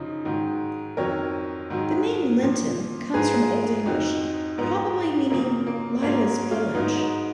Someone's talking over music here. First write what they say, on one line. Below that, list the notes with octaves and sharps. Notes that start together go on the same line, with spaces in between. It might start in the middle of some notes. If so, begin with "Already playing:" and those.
The name Linton comes from Old English, probably meaning "Lilla's village".
Already playing: F#2 C#3 F3 D#4
G#2 D#3 F#3
F2 D#3 F#3 A#4 C#5
G#2 D#3 F#3
A#2 F3
G#2 F3 G#4 B4
F2 F3 D#4 F#4
G#2 F3 B3
F#2 C#3 F3 A#3
A#3
G#2 F#3 A#3 C#4
C#4 F4
G#2 F#3 B3 D#4